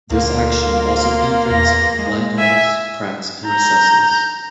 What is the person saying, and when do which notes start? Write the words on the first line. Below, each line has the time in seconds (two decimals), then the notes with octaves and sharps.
This action also penetrates blind holes, cracks, and recesses.
0.11 D2 A#3 F4
1.50 E2 A#6
1.99 G#3
2.38 E5 G#5
3.47 A#5 G6